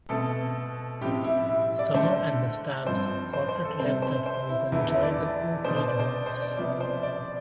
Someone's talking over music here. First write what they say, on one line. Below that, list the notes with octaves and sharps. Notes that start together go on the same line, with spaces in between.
Sumner and the Stamps Quartet left that group and joined the Oak Ridge Boys.
B2 A3 C4 A4
A2 F3 C4 G4
E4
E4
D5
D3 A3 D4 C5
G2 F3 C4 C5
C5
C5
A4
C3 G3 C4 C5
C5
C5
E4
E2 D3 F3 B3 E4
E4
D5
B2 B3 D4 C5
C5
D5
C5
C5
D5
C3 F3 B3 D5
C5
D5